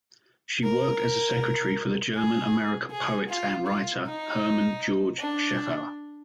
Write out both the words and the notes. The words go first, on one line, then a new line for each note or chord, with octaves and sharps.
She worked as a secretary for the German-American poet and writer, Herman George Scheffauer.
A#4
G#4
G#4
F4
F4
D#4
D4